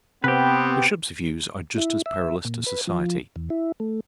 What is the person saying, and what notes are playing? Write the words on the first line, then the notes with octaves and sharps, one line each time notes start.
The Bishop's views are just as perilous to society.
C3 B3 C4 G4 B4
E4
E5
A#2
B4
F3
E2
E4
A3